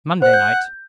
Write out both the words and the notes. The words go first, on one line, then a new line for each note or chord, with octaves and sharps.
Monday night?
C5 F#5
G6